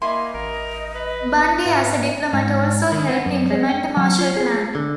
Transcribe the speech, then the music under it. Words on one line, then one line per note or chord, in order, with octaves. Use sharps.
Bundy as a diplomat also helped implement the Marshall Plan.
A#3 E4 D#5 G#5 C6
A1 A#4
B4
G#2 B3 E4 B4 A#5
G#2
D#3
B3
F#2
G#3
G5
F#3
F4
G#4
D3